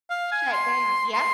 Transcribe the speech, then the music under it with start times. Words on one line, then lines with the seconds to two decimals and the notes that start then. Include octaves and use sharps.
shut down Yep.
0.10 F5
0.32 G#5
0.53 C6
1.14 C6